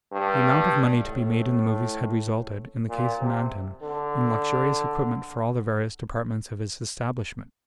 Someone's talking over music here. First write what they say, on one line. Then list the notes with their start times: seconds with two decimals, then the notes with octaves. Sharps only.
The amount of money to be made in the movies had resulted, in the case of Manton, in luxurious equipment for all the various departments of his establishment.
0.12 G2
1.04 A2
2.89 A#2
3.20 C3
3.82 D3